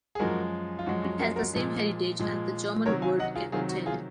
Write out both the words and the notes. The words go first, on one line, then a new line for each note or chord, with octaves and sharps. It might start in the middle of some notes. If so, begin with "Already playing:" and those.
It has the same heritage as the German word “Kapitell”.
G#4
F#2 F3 G#3 F#4 A#4
F4
F#2 F3 G#3 F#4
F#4
F#4 A#4
F#4 A#4
A#2 F3 G#3
A#2 F3 G#3
C3 D#3 F#3 A#4 C#5
F5 G#5
D#5 F#5
F4 G#4
C3 D#3 F#3 F4 G#4
F#4
F4 G#4